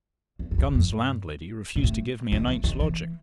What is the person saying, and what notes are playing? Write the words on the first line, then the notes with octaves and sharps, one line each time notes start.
Gun's landlady refused to give me a night's lodging.
E2
F2
E2
F2
F2
G2
A#2
A2
D#3
E3
D#3
E3